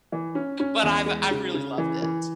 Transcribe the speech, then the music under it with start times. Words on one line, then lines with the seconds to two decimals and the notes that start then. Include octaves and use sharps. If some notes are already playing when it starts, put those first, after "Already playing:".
but I've I've really loved it.
0.12 E3
0.35 C#4
0.60 C#4
0.83 E2
1.06 G#3
1.31 C#3
1.54 C#3
1.78 E3
2.02 E3